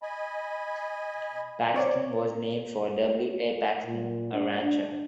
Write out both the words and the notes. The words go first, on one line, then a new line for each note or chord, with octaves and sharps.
Paxton was named for W. A. Paxton, a rancher.
D#5 G#5 B5
C4 C#5 D5
A#2
D4
D4